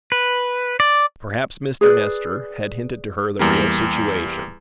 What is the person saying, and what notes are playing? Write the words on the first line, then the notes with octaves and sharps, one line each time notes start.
Perhaps Mr. Nestor had hinted to her the real situation.
B4
D5
G#4 B4 D5
E2 G3 A#3